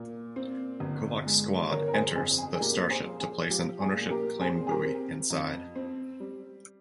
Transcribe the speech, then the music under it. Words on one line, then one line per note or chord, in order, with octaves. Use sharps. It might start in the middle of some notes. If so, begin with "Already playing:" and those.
Kovacs' squad enters the starship to place an ownership claim buoy inside.
Already playing: A#2
C4
G1
G#3
G1 A#4 C#5
A#4
G#4 C5
F2 G#4 C5
G#4
G#4
A#2 G4 A#4
G#4 C5
F3
G#4
F3 G4
G#4
A#2
G4 A#4
C4 G#4 C5
G#4
G4 A#4
C4
F2
C4
G3